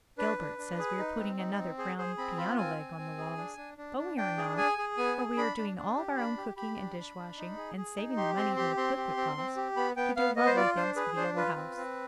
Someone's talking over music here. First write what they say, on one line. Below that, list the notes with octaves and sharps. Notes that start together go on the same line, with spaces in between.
Gilbert says we are putting another grand piano leg on the walls, but we are not, for we are doing all our own cooking and dishwashing and saving the money that a cook would cost, to do lovely things for the Yellow House.
D4 B4
D4
D4
G#4
D#4
C4
D#4
C4
G#4 C5
G#4 C5
C4 B5
F4 B5
C4 G#5
C4
C4
G#4
D4
D4
D4
D4
D4 G5
G#4
G#4 G#5
G#4
B3 G#5
G#4
D4 B5
D4
D4
G4
D4 B5
G4
G4 B5
D4
D4
D4
D#4
G#4
G#4
D#4
G4 C6
C4 C6
G4 C6
C4 C6
G4
C4
C4
G4
B3 B5
B3 G5
B3 F5
B3 D#5
C5
F4 D5
D4 C5
G#4 B4
D4 C5
F4 B4
C4
C4